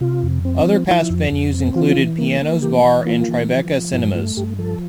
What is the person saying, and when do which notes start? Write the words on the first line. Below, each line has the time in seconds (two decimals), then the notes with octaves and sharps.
Other past venues included Pianos Bar and Tribeca Cinemas.
0.01 C3 F4
0.23 F2
0.45 C4
0.66 F3
0.88 F3 E4
1.10 F2
1.32 F2
1.54 C4
1.75 E3 F4
1.98 E3
2.18 A#3
2.41 A#3
2.62 E3 G4
2.84 E3
3.06 A#3 F4
3.29 E3
3.50 F3
3.71 F3
3.93 G2 E4
4.15 A3 F4
4.37 G2 G4
4.59 F3 A4